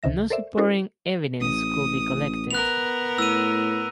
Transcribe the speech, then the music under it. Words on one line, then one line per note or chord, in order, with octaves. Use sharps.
No supporting evidence could be collected.
C#2 C3 D#3 E5 A#6
A4 A#4 C5 D5 E5
C#4 E4 F#4 A4 A#4 C5
A1 D#6
B3 A#4 F#6 F7
A2 E6 D#7